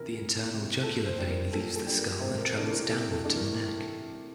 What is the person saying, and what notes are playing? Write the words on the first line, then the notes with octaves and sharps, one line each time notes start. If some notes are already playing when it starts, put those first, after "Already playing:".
The internal jugular vein leaves the skull and travels downward to the neck.
Already playing: C3 E3 E4 A#4
D2
C3 E3
A#2 A4
C5
G3 D4
A#4
A#2 A4
A4
G3 D4
A#4
C3 C5
A#4
E3 A3 D4 A#4
A4
A#4
C3 A4
A4
E3 A3 D4
A#4